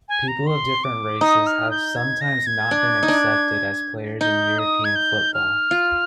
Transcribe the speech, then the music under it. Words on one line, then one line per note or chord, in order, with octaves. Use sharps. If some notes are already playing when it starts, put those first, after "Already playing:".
People of different races have sometimes not been accepted as players in European football.
G#5
A#5
C6
D6
D#4 D#6
F6
G6
G#6
A#6
G#6
D4
D#4
D4
D#4 G6
D#6
G#6
G6
F6
F4